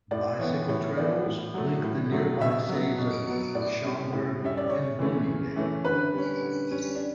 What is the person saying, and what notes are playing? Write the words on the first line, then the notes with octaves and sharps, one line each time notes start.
Bicycle trails link the nearby cities of Schaumburg and Bloomingdale.
A2 D5
E3 B3 C#5
A2 C#5
E3 B3 D5
A2
F#3 A3
A2
F#3 A3
B2 E5
F#3 B3
B2
F#3 B3
A2 D5
G3 C#4
A2
G3 C#4 E5
D5
C#3 C#5
E3 A3 C#4
C#3
E3 A3 C#4
D3 B4
G3 C#4
D3
G3 C#4
D4